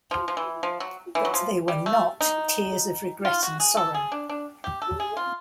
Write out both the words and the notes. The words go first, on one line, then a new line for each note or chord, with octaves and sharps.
But they were not tears of regret and sorrow.
F3
F3
E3
F3
F#3
E3
F#3
F3
G3
A3
D#4
F4
F#4
G#4
A4
G#4
D4
D4
G4
A4
G#4
F4